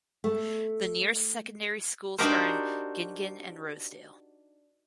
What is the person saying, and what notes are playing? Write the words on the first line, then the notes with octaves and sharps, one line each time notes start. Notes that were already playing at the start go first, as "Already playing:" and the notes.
The nearest secondary schools are in Gin Gin and Rosedale.
A3
D4 D#4 F#4 G4 A#4 C5